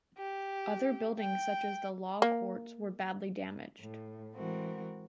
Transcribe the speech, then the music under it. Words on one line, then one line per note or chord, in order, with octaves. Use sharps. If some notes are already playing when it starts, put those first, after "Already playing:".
Other buildings, such as the Law Courts, were badly damaged.
G4
G5
A#3
A2
E3 G#3 C4 F#4 A#4